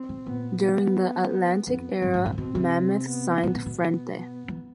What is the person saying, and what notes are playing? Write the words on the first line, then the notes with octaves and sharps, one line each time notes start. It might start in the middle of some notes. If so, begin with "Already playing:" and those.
During the Atlantic era, Mammoth signed Frente!
Already playing: C4
B2
A#2 B3
B3
F2 B3
G2 C4
G#2
A2
A#2
B2 C4
C3
B3
B2 B3
B2
B2
B3
B3
E3